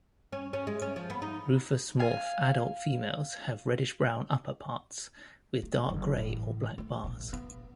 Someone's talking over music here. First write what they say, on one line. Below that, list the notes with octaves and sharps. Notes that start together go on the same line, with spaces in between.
Rufous morph adult females have reddish-brown upperparts with dark grey or black bars.
C#4
C#4
G#3
C#4
F3
B3
D#4
F5 G#5
A3
F#1
A2 E3
A3
A#1 C3
B3